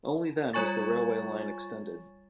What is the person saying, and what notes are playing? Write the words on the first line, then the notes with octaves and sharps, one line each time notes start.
Only then was the railway line extended.
G3 F4 C#5 G#5 C#6 A6